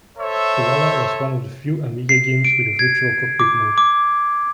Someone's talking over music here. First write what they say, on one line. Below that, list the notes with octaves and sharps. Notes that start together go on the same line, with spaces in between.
Coala was one of the few Amiga games with a virtual cockpit mode.
A4 C5 C#5 E5
C7
D7
G#6
D6
D6